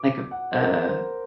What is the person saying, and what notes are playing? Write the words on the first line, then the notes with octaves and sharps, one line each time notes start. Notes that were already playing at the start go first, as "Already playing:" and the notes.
like a, uh,
Already playing: D6
F#5
C5
A#4
C5